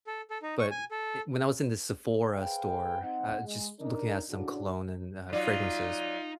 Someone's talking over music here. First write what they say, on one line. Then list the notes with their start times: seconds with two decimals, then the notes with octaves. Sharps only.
but, eh, when I was in the Sephora store, uh, just looking at some cologne and, uh, fragrances,
0.07 A4
0.30 A4
0.42 D#4
0.59 C#6
0.71 G#5
0.91 A4
2.33 G#4 B4 C5 F5 G5
3.02 C4 D#4 F#5
3.45 G#3
3.80 D4 D#4 A#4
4.30 A2 C#3 D4 F#4
5.33 F#3 D#4 F4 D5